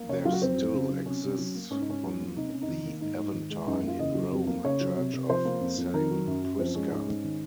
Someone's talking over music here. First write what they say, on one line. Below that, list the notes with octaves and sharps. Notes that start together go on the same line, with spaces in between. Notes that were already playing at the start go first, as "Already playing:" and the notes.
There still exists on the Aventine in Rome a church of Saint Prisca.
Already playing: A#3
C#3 C#5
F#3 F4
F#4
F2 C4
F2
C#3
F#3
C3 C#4
C3
F#3
A#3
G#2 C#4
D#4
G#2 C#4
F#3
A#3
C3 D#4
C3 C#4
D#4
D#3
A#3
G#2 D#4
G#2
D#3
G#3
F#2 D#4
A#3 F4
C#3 D#5
F#3
F2
A#3
C#3 C#5
F#3
C3
C3
F3 C5
A#3
F2
F2
D#3 A#4
F#3
F#2
F#2
F3 C4
G#3 C#4
G#2 C#4
G#2
D#3